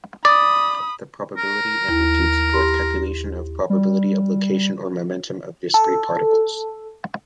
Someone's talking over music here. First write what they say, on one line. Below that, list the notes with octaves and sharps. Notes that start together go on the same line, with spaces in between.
The probability amplitude supports calculation of probability of location or momentum of discrete particles.
D5 B5 D#6
A#4
D#2 E4
G4 B5 C6
G3
A4